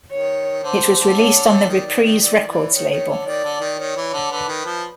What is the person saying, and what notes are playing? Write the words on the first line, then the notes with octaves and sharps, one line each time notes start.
It was released on the Reprise Records label.
D#3 C#5
D3 C5
D3
D3
C#5
D#3 D5
D#3
D#3
D#3 D5
E3
D#3 C#5
D#3
D3
D#3 D5
D3
D#3
D#3 C#5
E3
D3
D3 B4
D#3
F3